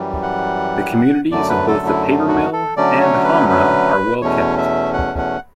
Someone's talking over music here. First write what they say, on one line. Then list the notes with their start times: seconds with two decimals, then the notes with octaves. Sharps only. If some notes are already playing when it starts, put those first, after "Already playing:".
The communities of both the papermill and Hamra are well kept.
Already playing: F#2 E3 G3
0.23 F#5
1.31 F#2 D3 A3 D5
1.49 B4
1.68 A4
1.86 E4
2.28 F#4
2.53 A4
2.77 D3 F#3 A3 C#4 D5
3.01 C#5
3.25 B4
3.49 B4
4.22 E2 B2 A3 C#4 C#5
4.58 E5
4.94 F#5
5.18 F#5